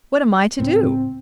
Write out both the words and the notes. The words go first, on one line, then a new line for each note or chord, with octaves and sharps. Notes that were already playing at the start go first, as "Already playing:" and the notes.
"What am I to do?"
C#2 A2 B3 C4